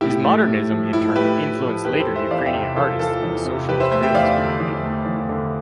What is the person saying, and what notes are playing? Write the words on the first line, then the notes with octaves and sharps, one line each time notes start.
His Modernism in turn influenced later Ukrainian artists in the Socialist Realist period.
A2 E4 G4
A3
A2
F3
A2 E4
A3 G4 B4
A2
F3
E2 G4 B4
A4 C5
E3
C5 E5
E2 D5 F5
E5 G5
C3
E2 F4 A4
E3 F4 A4
E2
C3
E2 G4 B4
C5 E5
A3 C5 E5
E5 G5
E2 D5 F5
D3
E2
A3
E2
D3